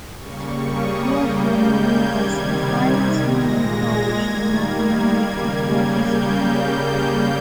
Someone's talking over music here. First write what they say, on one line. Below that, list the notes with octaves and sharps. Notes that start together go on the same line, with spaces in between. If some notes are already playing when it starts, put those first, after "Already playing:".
Wilford Moore was the highest winning coach in McMurry football history.
C#3 G3 A#3 C#6
D#6
C#3 G3 A#3 G6
G#6
C3 D#3 G3
A#2 G#3 A#6
G#6
D#3 G3 A#3
G#6
C#3 G3 A#3
G6
C#3 G3 A#3 G6